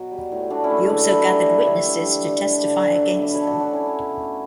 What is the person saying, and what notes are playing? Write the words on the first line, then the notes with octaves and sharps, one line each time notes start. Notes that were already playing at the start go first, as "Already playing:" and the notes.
He also gathered witnesses to testify against them.
Already playing: B2 F#3
G3
A2
A3 D4 F#4
C#4 E4
A3
A4 C#5
D3 B4 D5
D3
G3
E3
D3 C#5 E5
D3
G3
G3
D3
D3
G3
G3
B2 B4 D5
A4 C#5
A3
D4 F#4
F#3 D4 F#4
C#4 E4
F#3
C#4
B2
A3